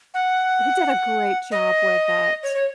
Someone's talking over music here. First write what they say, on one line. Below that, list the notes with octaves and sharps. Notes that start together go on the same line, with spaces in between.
He did a great job with it,
F#5
D#5
C#5
C#5